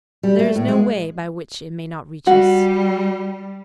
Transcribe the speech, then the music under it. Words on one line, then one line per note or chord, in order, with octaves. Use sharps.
There is no way by which it may not reach us.
G3
A3
A2
G#3
G3 F#4